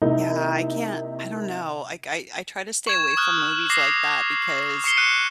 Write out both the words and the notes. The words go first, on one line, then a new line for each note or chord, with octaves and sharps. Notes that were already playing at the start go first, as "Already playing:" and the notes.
Yeah, I can't I don't know. I k I I try to stay away from movies like that because
C3 A#3 D#4 E4
C#6 G#6 E7
D#6 F6 F#6
D6 A#6 C7
C#6 C7 C#7 G7
F#6 C#7 D#7